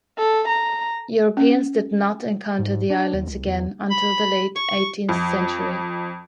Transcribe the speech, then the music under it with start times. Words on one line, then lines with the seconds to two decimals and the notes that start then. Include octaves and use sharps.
Europeans did not encounter the islands again until the late eighteenth century.
0.18 A4
0.48 A#5
1.37 C#4
2.59 G#2
2.90 D4
3.13 D#2
3.27 C2
3.46 E2
3.91 B5
4.56 C#6
5.09 F2